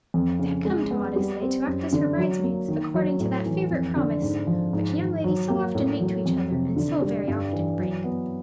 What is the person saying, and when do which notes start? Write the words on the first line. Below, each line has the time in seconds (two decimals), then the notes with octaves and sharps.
They had come to Maudesley to act as her bridesmaids, according to that favourite promise which young ladies so often make to each other, and so very often break.
0.14 F2
0.39 C#3
0.65 G#3
0.91 B3
1.16 G3
1.42 C4
1.67 F#2
1.93 D3
2.18 F#3
2.44 A#3
2.68 D#3
2.94 F#3
3.20 A2
3.46 E3
3.71 F2
3.96 D3
4.22 G#2
4.47 F3
4.73 G#2
4.98 D#3
5.24 F#3
5.50 A#3
5.75 A2
6.00 F#3
6.26 F2
6.51 C3
6.77 D3
7.02 G3
7.28 G2
7.53 E3
7.79 F#3
8.04 B3